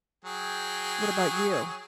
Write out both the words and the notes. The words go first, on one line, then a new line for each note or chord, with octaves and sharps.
What about you?
F#3 G#4 G5